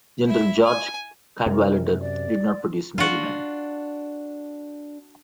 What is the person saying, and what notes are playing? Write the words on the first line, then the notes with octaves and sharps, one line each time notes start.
General George Cadwalader did not produce Merryman.
E4 E5
G#5
F#2 C3 A#4
D5
D4 F4 F#4